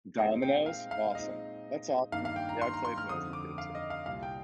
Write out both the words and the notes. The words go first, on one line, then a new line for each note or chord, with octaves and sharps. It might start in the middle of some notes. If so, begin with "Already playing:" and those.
Dominoes? Awesome. That's awesome. Yeah, I played when I was a kid too.
A#2 G#3 C4 D#4 D#5
G5
F5
F5
A#2 G#3 C4 D#4 D#5
G2 D#3 A#3 D#4 F5
F5
G5
A#5
C6
A#5
C6
F6
F2 D3 F3 C4 D#4 D#6
D6
F5
D#5
F5
C2 A#2 G3 F5
G5